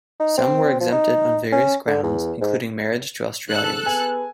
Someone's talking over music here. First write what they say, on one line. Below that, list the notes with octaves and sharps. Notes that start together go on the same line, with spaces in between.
Some were exempted on various grounds, including marriage to Australians.
D#4
C4
F3
D#4
C#4
D3
E2
G#2
G#2 C#3 A4 F#6
B3 G#4 B4 G#5